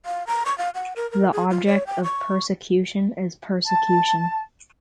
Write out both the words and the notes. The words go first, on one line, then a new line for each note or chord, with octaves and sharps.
The object of persecution is persecution.
F5
A#5
C#6
F5
F#5
A#4
A#4
G#4
F4
C#5
G5
C#6
A5